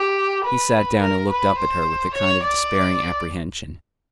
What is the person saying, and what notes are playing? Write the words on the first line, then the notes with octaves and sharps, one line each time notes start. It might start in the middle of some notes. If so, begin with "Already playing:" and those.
He sat down and looked up at her with a kind of despairing apprehension.
Already playing: G4
B4
A#4
B4
C5
C#5
D5